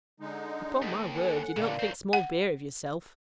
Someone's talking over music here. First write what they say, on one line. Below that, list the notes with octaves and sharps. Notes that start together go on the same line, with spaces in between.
'Upon my word, you don't think small beer of yourself!
D3 G#3 D#4
D#2
A4 F#5 G#5
A#2 D3 A#4 D5 F5
F#2 C4
F#5